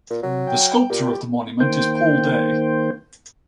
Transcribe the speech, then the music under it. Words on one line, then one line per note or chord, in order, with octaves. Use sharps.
The sculptor of the monument is Paul Day.
A#2
C3 F#3
G5
A#2 G4
D#3 A#3 C5 G5